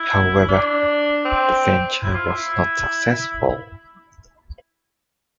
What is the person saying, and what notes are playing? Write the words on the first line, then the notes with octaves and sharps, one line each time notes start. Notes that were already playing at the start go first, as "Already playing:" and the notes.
However, the venture was not successful.
Already playing: E4
D4
C4
E4
F4
E4